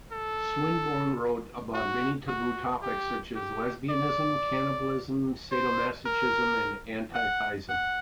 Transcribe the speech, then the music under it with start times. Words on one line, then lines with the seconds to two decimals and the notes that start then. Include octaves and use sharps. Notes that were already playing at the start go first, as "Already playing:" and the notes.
Swinburne wrote about many taboo topics, such as lesbianism, cannibalism, sado-masochism, and anti-theism.
0.12 A4
1.74 F#4
2.28 F#4
2.82 G4
3.35 G4
3.90 D5
5.52 C5
6.06 A#4
7.14 F#5
7.69 F#5